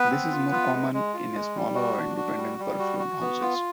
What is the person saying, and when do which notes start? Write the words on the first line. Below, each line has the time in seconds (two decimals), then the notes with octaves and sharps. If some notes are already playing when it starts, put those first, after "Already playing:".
This is more common in smaller or independent perfume houses.
Already playing: B3 B4
0.10 C4
0.32 F4
0.52 F4
0.73 G#3
0.94 G#3
1.14 F4
1.34 G#3
1.56 G3
1.75 F#4
1.97 D4
2.17 F#4
2.37 G3
2.59 G3
2.79 F#4
2.99 F#4
3.21 B3
3.41 F4